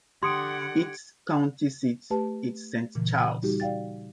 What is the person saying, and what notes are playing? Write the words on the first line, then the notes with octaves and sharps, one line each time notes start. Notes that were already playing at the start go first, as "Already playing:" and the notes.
Its county seat is Saint Charles.
D3 G4 F#5 C6 D#6 G#6 C#7 D7
A3 G4 B4 A5
A#2 C#3 E3
G3 D#4 F#4 G4
D5 F5 G5 A6